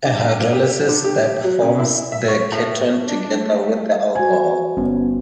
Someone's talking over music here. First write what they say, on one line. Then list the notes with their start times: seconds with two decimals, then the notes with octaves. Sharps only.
A hydrolysis step forms the ketone together with the alcohol.
0.05 D4
0.53 G4
0.89 D3
1.04 G4
1.44 F#3
1.62 C#3
1.79 E4
2.12 E5
2.28 C#5
2.52 A2
3.07 D4
3.36 A3
4.15 F#4 C5 G#5
4.77 G1 B3 C#4